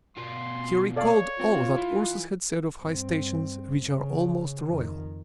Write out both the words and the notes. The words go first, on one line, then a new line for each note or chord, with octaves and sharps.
He recalled all that Ursus had said of high stations which are almost royal.
B2 F4 C6
A4 C#5 D5 F5
C4 F4
E3
G2 C4
C#3
F2 D#3